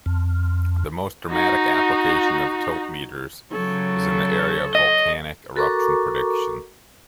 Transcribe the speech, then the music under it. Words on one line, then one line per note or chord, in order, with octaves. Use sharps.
The most dramatic application of tiltmeters is in the area of volcanic eruption prediction.
F2
D#4 F#4
C#3 F#3 A4 C#5
D#5
F#4 A4 A#4 A#5 C#6 D6